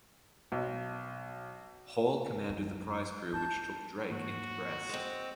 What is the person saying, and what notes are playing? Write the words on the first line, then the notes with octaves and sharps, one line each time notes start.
Hall commanded the prize crew which took "Drake" into Brest.
B1
F#2
D4 A5 G6
G#2 E3 A#3 F#4
G#3 C4